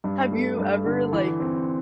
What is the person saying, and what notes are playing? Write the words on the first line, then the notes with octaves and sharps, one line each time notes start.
Have you ever, like,
G2
A3
G2
D3
E3
C4